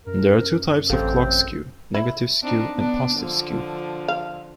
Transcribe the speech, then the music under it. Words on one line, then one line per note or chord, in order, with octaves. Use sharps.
There are two types of clock skew: negative skew and positive skew.
F#2 A#4
A1 C4 G4 A4 F5
E4
C4 D4 D#4
B3 D4
D3 F3
F5